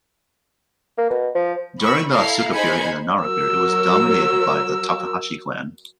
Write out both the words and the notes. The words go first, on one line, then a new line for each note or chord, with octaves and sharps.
During the Asuka period and Nara period it was dominated by the Takahashi clan.
A#3
B2
F3
B5 C#6 E6
E4 A4 F5 A#5 C7
D#4 G#4 C5 B5 G#6 C#7
F#3 A#4 E6